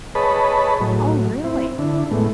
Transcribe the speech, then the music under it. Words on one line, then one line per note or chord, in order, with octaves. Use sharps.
Oh, really?
G#4 B4 C#5 D#5 A5 B5
A2 F#3
C4 E4
D3 D4 E4
A2 G#3 A3 B3